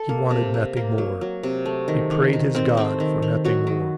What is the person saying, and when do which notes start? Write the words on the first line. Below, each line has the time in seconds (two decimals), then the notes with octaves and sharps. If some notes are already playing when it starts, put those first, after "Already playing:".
He wanted nothing more, He prayed his God for nothing more.
Already playing: A4
0.09 A#3
0.31 C3
0.54 A#3
0.77 A#3
0.98 F#3
1.21 F#3
1.43 C3
1.65 A3
1.88 D#3
2.11 D#3
2.33 D#3
2.55 D#3 C4
2.77 A3 C4
3.00 D#3
3.22 D#3
3.44 F#3 F#4
3.67 D#3